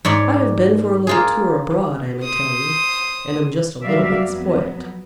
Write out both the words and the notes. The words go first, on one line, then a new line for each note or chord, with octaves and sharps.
I have been for a little tour abroad, I may tell you, and am just a little bit spoilt.
G#2 C#5 D5 C6
A#3 F4 G#4
C5 D#6
F#3 G3 F#4 D5 E5 F5
F2 F#3 B3